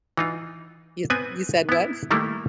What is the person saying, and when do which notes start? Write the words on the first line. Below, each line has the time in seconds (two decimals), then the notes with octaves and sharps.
You you said what?
0.17 E3 D#4 F4
1.10 B3 C4 B4 G#5
1.69 B3 E4
2.11 D#3 G3 A3 A#3 E4